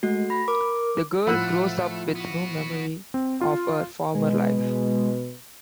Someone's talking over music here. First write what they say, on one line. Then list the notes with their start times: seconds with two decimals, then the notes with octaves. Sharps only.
The girl grows up with no memory of her former life.
0.03 G#3 A3 F#4
0.30 B5 A#6
0.48 A#4 D6
1.27 A2 F3 A3 F4 F#5 B5 E6 F#6
2.16 B3 F#4
3.14 C4
3.41 F4
4.14 B2 G#3 B4